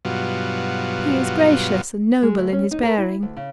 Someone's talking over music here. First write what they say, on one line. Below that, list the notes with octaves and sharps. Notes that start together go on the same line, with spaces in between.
He is gracious and noble in his bearing.
G2 B2 F#3 F4
G#3
D2
C#4
D#4
A#4
E4
D2
C#3